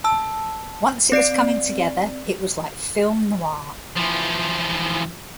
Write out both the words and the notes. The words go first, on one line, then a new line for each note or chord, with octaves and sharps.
Once it was coming together, it was like film noir.
A5 E6
C4 D5 C7 D7
E3 F3